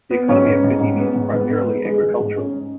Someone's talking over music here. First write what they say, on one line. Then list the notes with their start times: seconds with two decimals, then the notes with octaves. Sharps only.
The economy of Kunimi is primarily agricultural.
0.11 B3
0.28 G#2 C#4 C#5
0.46 G#2
0.64 G#2
0.81 G#2
0.99 B3
1.16 G#2
1.33 G#2 B3 B4
1.51 G#2
1.69 G#3
1.85 G#3 G#4
2.03 G#3
2.20 G#2
2.38 C#4